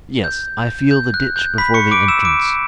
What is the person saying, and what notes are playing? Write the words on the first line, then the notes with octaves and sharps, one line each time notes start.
'Yes, I feel the ditch before the entrance.
G6
G6
F#6
G6
B5 B6
C#6 C#7
D6 D7
E6 E7
D6 D7